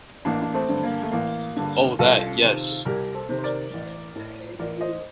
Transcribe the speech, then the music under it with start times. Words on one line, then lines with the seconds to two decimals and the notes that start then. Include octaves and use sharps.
Oh, that, yes.
0.25 A1 A#3 D4
0.42 D4
0.54 A3 C4
0.69 G2 D3
0.84 A#3
1.03 A3
1.12 A1 A#3
1.56 G2 D3
1.99 C2 F4 A4
2.42 C3 D#3
2.85 C2 G4 A#4
3.14 A4 C5
3.29 C3 D#3
3.38 C5
3.43 A#4 D5
3.73 A1
4.16 A2
4.59 A1 A#4 D5
4.81 C5 D#5